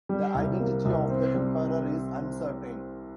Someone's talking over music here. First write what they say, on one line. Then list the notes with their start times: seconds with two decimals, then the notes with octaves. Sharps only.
The identity of the Emperor is uncertain.
0.09 G3
0.35 C2
0.60 A#3
0.85 C2
1.10 C4
1.35 G3